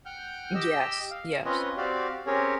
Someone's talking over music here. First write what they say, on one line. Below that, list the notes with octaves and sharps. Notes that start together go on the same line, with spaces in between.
Yes, yes.
F#5 G5 F6 G6
G4 D#5 G5 E6
F5
C4 C#4 F4 B4 C#5 D#5
C4 F#4 G4 D5 F5
C4 C#4 G4 G#4 A#4 C#5